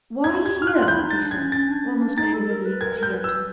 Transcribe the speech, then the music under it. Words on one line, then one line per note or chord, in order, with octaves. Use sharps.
"Why here?" he said, almost angrily, as he entered.
E4 G#6
G4
G#6
F#4
F6
F#6
F4
F#6
E4 G6
D4
D#4
A6
D4
G#6
C#4
C#4 A6
D4
C#4
D4
D#4 A6
A4
A#4
B4
A#4 G#6
A#4 G6
B4
E6